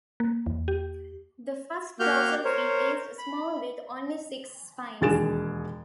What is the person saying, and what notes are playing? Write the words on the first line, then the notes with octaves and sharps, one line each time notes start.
The first dorsal fin is small with only six spines.
A#3
E2
G4
A#3 F#4 G4 F5 F6 G6
A#4 C5 C#5
B5
E1 D#2 G#4 A6 D7 E7